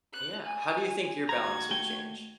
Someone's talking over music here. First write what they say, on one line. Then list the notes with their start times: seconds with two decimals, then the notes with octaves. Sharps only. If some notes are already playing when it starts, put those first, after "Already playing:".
Yeah. How do you think your balance would change?
0.13 F#6
0.45 G#5
1.29 D#2 F#4 A#5 G#6
1.71 A3 G5